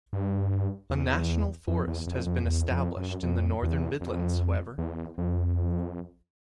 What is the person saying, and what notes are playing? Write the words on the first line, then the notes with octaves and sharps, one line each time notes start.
A national forest has been established in the northern midlands however.
G2
E2
F2
E2
F2
F2
E2
F2
F#2
F2
E2
F2
E2
F2